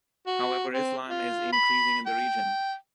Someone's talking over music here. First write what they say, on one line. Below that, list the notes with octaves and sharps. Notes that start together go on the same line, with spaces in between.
However Islam is increasing in the region.
F#4
C4
F4
B5
G5